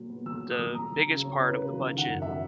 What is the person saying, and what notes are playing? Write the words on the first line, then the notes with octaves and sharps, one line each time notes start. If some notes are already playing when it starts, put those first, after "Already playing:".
the biggest part of the budget
Already playing: A#2 F#3
B3
F#3 E6
A#2
D#6
F#3
F#3 A#5
F#3
C#3
C#4 C#5
E4
B4
C#3
F#3
D#3
F#5
F#2
F#3 E5